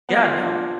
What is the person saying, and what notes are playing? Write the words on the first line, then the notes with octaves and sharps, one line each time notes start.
Yeah, no.
B3
F4
F4
D4